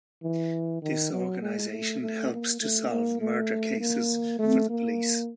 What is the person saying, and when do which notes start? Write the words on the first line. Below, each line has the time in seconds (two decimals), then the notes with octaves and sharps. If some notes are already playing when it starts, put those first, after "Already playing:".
This organization helps to solve murder cases for the police.
0.23 E3
0.82 D#3
1.13 F#3
1.42 G#3
1.72 A3
2.01 A3
2.32 A#3
2.61 A3
2.91 A#3
3.21 A3
3.81 A#3
4.39 A3
4.69 A#3